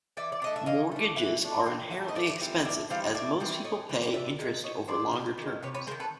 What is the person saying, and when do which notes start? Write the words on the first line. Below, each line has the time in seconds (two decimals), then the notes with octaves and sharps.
Mortgages are inherently expensive as most people pay interest over longer terms.
0.17 E3 D5 E5
0.32 D5
0.42 A3 D4 D#5
0.56 E5
0.66 E3 D#5 F5
0.91 A3 D4
1.16 E3 E5 F#5
1.41 A3 D4
1.66 E3 F5 G5
1.90 A3 D4 E5 F#5
2.09 D#5
2.15 A2 D5 E5
2.41 E3 G3 C4
2.64 A2 D5 E5
2.90 E3 G3 C4 F5
3.14 A2 D5 E5
3.40 E3 G3 C4
3.64 A2 C#5 D#5
3.89 E3 G3 C4
4.14 C3 D5 E5
4.39 D#3 G#3
4.63 C3 C#5 D#5
4.88 D#3 G#3 C5 D5
5.13 C3
5.38 D#3 G#3
5.63 C3 B4 C#5
5.75 B4 C#5
5.87 G#3 A#4 C5
5.91 D#3
6.00 A4 B4